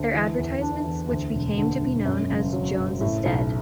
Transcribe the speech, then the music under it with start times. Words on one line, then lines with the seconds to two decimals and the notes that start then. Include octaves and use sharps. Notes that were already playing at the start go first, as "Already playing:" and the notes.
Their advertisements, which became to be known as Jones is Dead!
Already playing: D2
0.14 E3
0.38 E2
0.61 D4
0.86 E2
1.10 D2
1.34 E1
1.57 D3
1.81 E1
2.05 F#2
2.29 F#1
2.53 F#3
2.77 F#1
3.01 A2
3.25 B1